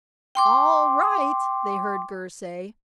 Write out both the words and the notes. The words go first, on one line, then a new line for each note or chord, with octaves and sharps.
"All right!" they heard Gurr say.
G5 C6 D6